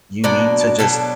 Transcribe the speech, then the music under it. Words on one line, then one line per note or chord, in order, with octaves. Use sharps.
you need to just
B2 F#3 D4 D5
B2 F#3 D4 A4